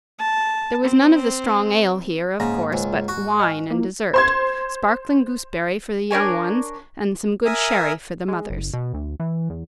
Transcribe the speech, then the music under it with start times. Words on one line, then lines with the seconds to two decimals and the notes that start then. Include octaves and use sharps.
There was none of the strong ale here, of course, but wine and dessert--sparkling gooseberry for the young ones, and some good sherry for the mothers.
0.19 A5
0.84 C4
2.40 G#2 C#3 A#3
2.73 C#2 C5
3.08 F#4
3.40 D#5 G#5 F6
3.70 A#3 E4
4.14 C5 C6 G#6
6.11 D4 A#4 C#5 G#5
7.45 A#4 E5 G#5 D#6
8.28 G#3
8.50 F#1
8.73 B2
8.94 D2
9.20 E3
9.50 E2